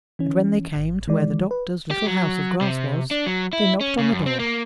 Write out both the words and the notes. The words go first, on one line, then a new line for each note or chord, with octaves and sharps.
And when they came to where the Doctor's little house of grass was, they knocked on the door.
E3 C#4
G#1
D#3 E3 G#3 D5
B4
G4
F#3
C3
D4
F#3
E4
C#4
C#3
F#2
C4
A#3